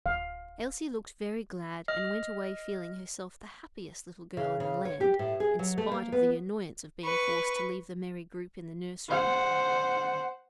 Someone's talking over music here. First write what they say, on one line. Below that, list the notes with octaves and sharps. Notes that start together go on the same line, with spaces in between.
Elsie looked very glad, and went away feeling herself the happiest little girl in the land, in spite of the annoyance of being forced to leave the merry group in the nursery.
D1 F5
D#5 F6
C#3
C#3
C#5
G4
A2
G#4
F#3
A3
A#3
B3
B4 C#6
C5 F#5